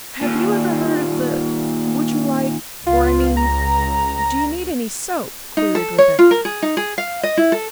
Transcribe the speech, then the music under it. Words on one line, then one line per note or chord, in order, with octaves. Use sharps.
"Have you ever heard of the--would you like, or I mean--do you need any soap?" queried Rebecca.
D#2 A#2
C#2 F4
A#5
D#4
A4
C#5
F4
A#4
G#4
D#4
G#4
F5
D#5
E4
A4